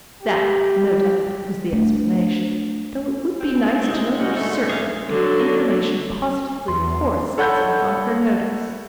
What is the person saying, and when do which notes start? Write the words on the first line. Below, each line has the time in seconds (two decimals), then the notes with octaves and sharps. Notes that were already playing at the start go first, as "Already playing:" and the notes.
That, no doubt, was the explanation, though it would be nice to know for certain, if the information positively forced itself on her notice. . . .
0.22 G4
1.72 A3 D4
3.40 C4
3.84 C3 G#3 D#4 E4
4.19 G3 F#4
4.36 G#2 D3 A3 D#4
4.69 G#4 F5
5.07 D3 F#3
6.68 E2 C6
7.38 A4 C#5 F#5 B5 G6